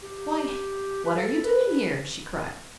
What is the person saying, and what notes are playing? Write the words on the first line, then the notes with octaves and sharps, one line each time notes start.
"Why, what are you doing here?" she cried.
G4
B4
A4
B4